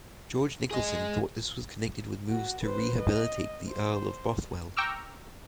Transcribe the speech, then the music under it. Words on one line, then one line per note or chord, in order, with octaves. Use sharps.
George Nicholson thought this was connected with moves to rehabilitate the Earl of Bothwell.
G#4 D#5
F#4
B4 C5
D#5
C5
G5 A#5 C#6 D6 E6 F6